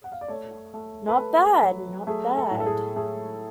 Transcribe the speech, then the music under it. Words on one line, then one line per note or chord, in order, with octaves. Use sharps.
Not bad, not bad.
F#5
F5
D5
A3 C#5
A3
B4
A3 A4
F#3
A3 G#4
A4
A2
A4
G#4
A3 G#4